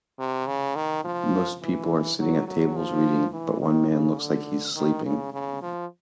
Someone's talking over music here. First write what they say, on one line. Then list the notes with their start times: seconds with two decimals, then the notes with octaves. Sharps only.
Most people are sitting at tables reading but one man looks like he 's sleeping.
0.19 C3
0.47 C#3
0.75 D#3
1.04 F3
1.62 E3
2.19 F#3
2.47 F#3
2.76 F3
3.33 E3
3.61 D#3
3.90 C#3
4.19 D3
4.76 D#3
5.05 C#3
5.33 C#3
5.62 F3